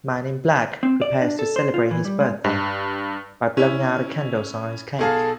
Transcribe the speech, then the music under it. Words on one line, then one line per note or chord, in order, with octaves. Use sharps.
Man in black prepares to celebrate his birthday by blowing out the candles on his cake.
C4
D5
D4
A4
C5
F4
E3
G3
G#3
G2
C#4 E4
B1 G#4 A4 F5